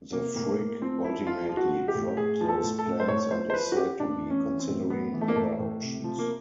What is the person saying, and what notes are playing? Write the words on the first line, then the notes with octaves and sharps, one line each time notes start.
The Frick ultimately dropped those plans and is said to be considering other options.
C3 A#3
A2 A#3
A2 A#3
F3 C4
F3 E4
F3 F4
F3
F#4
F3
G4
A2
A2 G#4
F3
A4
A2
A4
A2
C5
A2 C#5
F3 C5
C5
F3 B4
F#4
F3 G4
A2 D4
E3
C#4
E3
C4
A2
A2 B3
E3
A3
A#3
A2 A3
A2
C3
F3
A#3